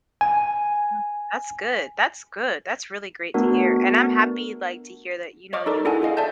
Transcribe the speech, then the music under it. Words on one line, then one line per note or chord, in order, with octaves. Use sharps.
Mm, that's good, that's good, that's really great to hear, and I'm happy, like, to hear that, you know, you
G#5
A3 B3 D4 F#4 A#4
C#5 D#5 C#6 D6 F6
D#4 A4 A#4 D5
D4 E4 G#4 A4 F#5 G#5
F4 G#4 D#5 F5
A4 D5 E5 G#5 A5 G6